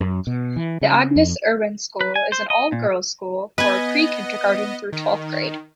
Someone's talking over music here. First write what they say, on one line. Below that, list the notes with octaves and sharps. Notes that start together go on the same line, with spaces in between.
The Agnes Irwin School is an all-girls school for prekindergarten through twelfth grade.
F#2
B2
E3
C#3
F2
B4
G#5
C5
D#5
A#2
B3 B4 D#5 G#5
D#3